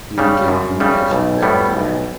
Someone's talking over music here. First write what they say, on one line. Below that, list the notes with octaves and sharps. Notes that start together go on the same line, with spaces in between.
He became known as "Bell the Cat".
C#3 G3
F#2
C#3 G3
B1
A2 G3 B3
B1